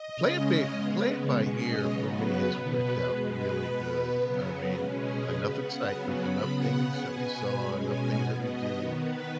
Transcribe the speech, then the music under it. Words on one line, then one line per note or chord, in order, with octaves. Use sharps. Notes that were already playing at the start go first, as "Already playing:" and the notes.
Play it bi play it by ear for me has worked out really good. I mean, enough excitement, enough things that we saw, enough things that we do,
Already playing: D#5
C#3 G#3 C#4
C#3 G#3 B3
B2 G#3 C#4 C#5
D#5
C#3 F#3 B3 C#5
B4
B2 B3 C#5
B4
B2 G#3 B3 G#4
B4
B2 B3
C#3 F#3 B3
B2 G#3 C#4 B4
G#4
C#3 B3 B4
F#5
C#3 F#3 B3 G#5
B5
C#3 B3 F#5
B2 B3 G#5
B2 G#3 C#4 B5
G#5
B2 B3 F#5
D#5
D#3 B3 C#5
B4